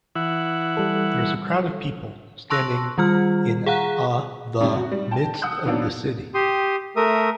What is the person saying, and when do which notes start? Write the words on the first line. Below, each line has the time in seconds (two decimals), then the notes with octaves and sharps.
There is a crowd of people standing in a the midst of the city.
0.15 E3 E4 F#5
0.77 G3 A4
2.50 A5 C6 C#6 E6 F#6 A#6
2.98 D#3 G3 F4 F6
3.66 G#4 F5 F#5 A#5 F#6
4.61 F#2 C3 D#3 G3
4.76 F#4
4.92 G3
5.11 G5 A5
5.42 F#5 D#6 E6 F#6 G6
5.65 D#3 F#3 A#3 B3 D4
6.34 G4 C6 D#6
6.96 A3 A#4 E5 D#6